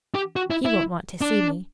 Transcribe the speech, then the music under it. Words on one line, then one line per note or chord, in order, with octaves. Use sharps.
He won't want to see me.
G4
F#4
E4
E4
D4